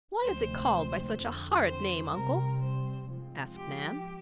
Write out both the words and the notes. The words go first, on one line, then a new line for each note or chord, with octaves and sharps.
"Why is it called by such a horrid name, Uncle?" asked Nan.
D2 C3 F3 G#3 C4 C5
F2 D3 G#3 C4
C5
C2 C3 G3 C4 A#4
C5
G#2 F3 G#3 C4
G4